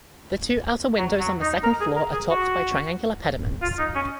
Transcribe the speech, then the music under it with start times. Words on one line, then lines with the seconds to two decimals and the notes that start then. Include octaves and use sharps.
The two outer windows on the second floor are topped by triangular pediments.
0.98 F#3
1.20 F#3
1.41 D#4
1.64 A#4
1.81 G#4
1.96 A#4
2.13 G#4
2.30 F#4
3.62 F4
3.79 D#4
3.95 C#4